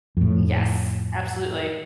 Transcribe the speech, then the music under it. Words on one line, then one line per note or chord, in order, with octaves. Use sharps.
Yes, absolutely.
F2 A2